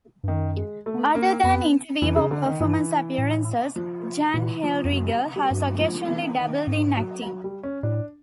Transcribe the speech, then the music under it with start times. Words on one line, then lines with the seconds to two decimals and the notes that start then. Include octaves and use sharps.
Other than interview or performance appearances, Jan Hellriegel has occasionally dabbled in acting.
0.23 G2
0.28 F#2 D#3
0.57 G#3
0.86 A3
1.15 A#3
1.43 F2 B3
2.02 F2 E3
2.16 C#3
2.31 D3
2.46 D#3
2.60 G2 E3
3.18 A2
3.76 F3
4.34 A#2 E3
4.63 F3
4.84 F2
4.92 F#2 F#3
5.07 G3
5.36 G3
5.51 G2 F#3
5.79 F3
6.08 E3
6.38 D#3
6.67 G#2
6.97 F#3
7.24 F#3
7.44 G3
7.63 C#4
7.83 A2 D4